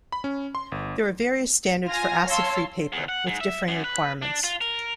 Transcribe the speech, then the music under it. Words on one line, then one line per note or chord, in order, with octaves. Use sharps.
There are various standards for "acid-free" paper, with differing requirements.
B5
C#4
C6
G1
F4 G#5 F6 A#6
C#5 F5 A5 C6 E6
E2
F#5
G#2
E5
F#2
B4
D4
F4
A#4